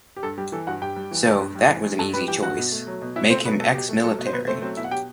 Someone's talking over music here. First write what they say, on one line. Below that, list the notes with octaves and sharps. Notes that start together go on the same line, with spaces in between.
So that was an easy choice: Make him ex-military.
G4
G2 A4
G3 G4
E3 A4
G2 F#4 F#5
G2 G4 G5
G3
E3
G2
G2
G3
E3
G2
G2 A4 A5
G3 B4 B5
E3 G4 G5
G2 F#4 F#5
B2
A3
F#3
B2
B2 E4 E5
A3 C4 C5
F#3 B3 B4
B2 A4
B2 G4
A3
F#3 A4
B2
C5
B2 B3 B4
A3 C4 C5
F#3 C4 C5
B2 E4 E5
F#5
G4 G5